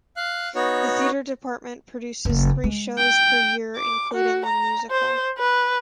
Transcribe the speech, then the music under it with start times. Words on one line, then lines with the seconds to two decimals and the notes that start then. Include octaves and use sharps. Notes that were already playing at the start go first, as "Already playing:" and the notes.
The Theater Department produces three shows per year, including one musical.
0.17 F5 F#6
0.55 B3 D#4 F#4 C#5
2.25 F#1 A#3
2.64 G#3
2.98 G5
3.76 D6
4.13 F#4
4.45 A#5
4.91 C5
5.38 B4